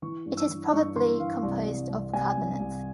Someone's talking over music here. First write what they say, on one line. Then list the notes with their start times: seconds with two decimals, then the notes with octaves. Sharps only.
It is probably composed of carbonates.
0.02 E3 C#6
0.26 G2
0.37 E6
0.49 E3
0.73 G2 C#6
0.96 E3 C6
1.20 E3 F5
1.43 C2
1.66 C2
1.89 C2
2.13 C2 G#5
2.37 C2
2.60 C2